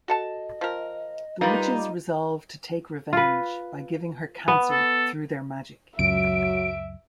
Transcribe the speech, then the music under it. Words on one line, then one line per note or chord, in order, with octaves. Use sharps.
The witches resolve to take revenge by giving her cancer through their magic.
F#4 A4 D#5 A5
F3 A#4
G3 A#3 D#4 F4 B4 F5 C6
B5 D6
F4 B4
B3
A4
C#2 F#2 F#3 E5 D7